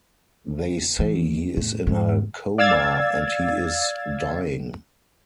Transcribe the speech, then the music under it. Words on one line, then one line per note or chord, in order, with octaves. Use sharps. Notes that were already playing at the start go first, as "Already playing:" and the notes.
They say he is in a coma, and he is dying.
E3
A2
G#2
D5 F5 E6 G#6 A6